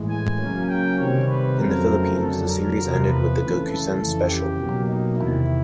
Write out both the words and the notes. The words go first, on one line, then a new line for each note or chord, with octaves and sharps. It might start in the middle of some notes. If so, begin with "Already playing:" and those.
In the Philippines, the series ended with the "Gokusen" special.
Already playing: A2 E3 G#3
G#5
C#3 F#3 A#3 C#4
G5
C3 D#3 G3 C4 C#5
B4
F2 C#3 F#3 A3 C4 A#4
F2 D3 F#3 A4
A#4
E2 C3 F3
B4
C#3 E3 A3
A4
F2 C#3 E3
G4
B2 F#3 A#3
D#4
E2 C3 D#3 E4